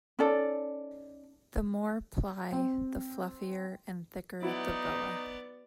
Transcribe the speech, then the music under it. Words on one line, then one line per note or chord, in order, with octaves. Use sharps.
The more ply, the fluffier and thicker the boa.
C#4 D#4 A4 D5
C4
F#3 B3 D#4 E4 F#4 D5